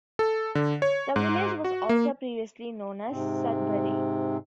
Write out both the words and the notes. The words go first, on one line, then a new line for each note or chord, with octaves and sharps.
The village was also previously known as "Sudbury".
A4
D3
C#5
G#2
F#4
A#3
G#2 C3 C4